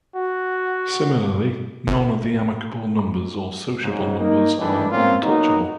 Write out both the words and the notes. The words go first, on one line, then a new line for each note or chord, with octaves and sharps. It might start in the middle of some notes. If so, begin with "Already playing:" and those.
Similarly, none of the amicable numbers or sociable numbers are untouchable.
F#4
G1
G#2 C#3
A#3 D#4
D#3 E3 G3 A3 D4
A#3 C4 C#4 F4
F#3 A#3 B3 D#4